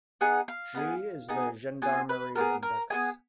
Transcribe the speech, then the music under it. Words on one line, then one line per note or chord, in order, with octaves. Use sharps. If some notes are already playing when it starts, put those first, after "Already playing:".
G is the Gendarmerie index.
B3 D#4 G#4 F#5
F5
B3 D#4 G#4
B3 D#4 G#4
B3 F4 G#4 G#5
B4
B3 F4 G#4 A#4
A#4
B3 F4 G#4 G#5